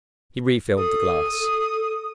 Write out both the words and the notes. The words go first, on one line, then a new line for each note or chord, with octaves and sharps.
He refilled the glass.
A4 D#6